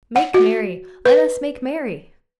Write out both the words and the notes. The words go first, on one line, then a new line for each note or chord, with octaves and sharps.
Make merry, let us make merry.
F#5
F#4
B4